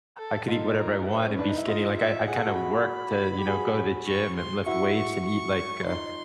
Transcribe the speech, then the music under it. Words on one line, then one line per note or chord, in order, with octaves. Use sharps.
I could eat whatever I want and be skinny, like, I I kinda worked to, you know, go to the gym and lift weights and eat, like, uh,
A4
D#4 F4 A4
A#4
C5
C#4
D4 B4
D#4
E4
D#4 F4 D#5
E5
G#4 F#5
A4
F#4 G#4
B5
G4
F#4 G#4
C#6
C6
E4 F#4 C#6
C#6
C#6
D#4 F4 C6